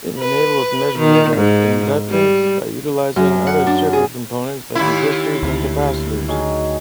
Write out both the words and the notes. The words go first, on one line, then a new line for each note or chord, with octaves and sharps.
It enables measurement of inductance by utilizing other circuit components like resistors and capacitors.
B4
D#3
G#2
G3
F#2
F#5
D4
G#4
D#2 E4
D2
D#3 F#3 G#4